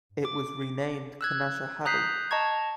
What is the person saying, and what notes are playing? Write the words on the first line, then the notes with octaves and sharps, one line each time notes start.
It was renamed Canajoharie.
D6
E6 F#6 G#6
A#5 D#6 F#6 G6 B6 C7
D#5 A5 A#5 C#6 G#6